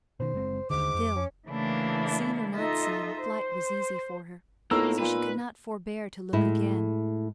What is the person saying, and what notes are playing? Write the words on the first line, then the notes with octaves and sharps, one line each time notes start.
Still, seen or not seen, flight was easy for her, so she could not forbear to look again.
B2 D#3 C5
F#1 G#3 C4
D#2 G#2 D3 D6
F2
C#4
C#3 E3 A3 A#3 D4 E4
D#4 F4 A4 D#5 E5
C5
A2 A#3 B3 D#4 F4 A#5 E6
A#2 B4
A2 G#3 E4